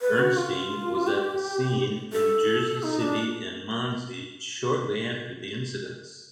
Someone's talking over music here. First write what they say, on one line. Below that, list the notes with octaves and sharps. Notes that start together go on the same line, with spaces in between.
Bernstein was at the scene in Jersey City and Monsey shortly after the incidents.
B4
F#4
F4
G4
A4
D#4
D4